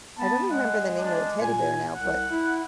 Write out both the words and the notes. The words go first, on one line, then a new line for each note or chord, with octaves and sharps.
I don't remember the name of the teddy bear now, but
B3 A5
G#3 F#5
D4
A#2 G#5
C2 F#5
E4